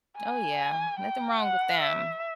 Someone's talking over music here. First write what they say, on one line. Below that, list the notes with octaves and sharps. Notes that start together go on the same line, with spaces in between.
Oh, yeah. Nothing wrong with them.
G#5
G5
F#5
E5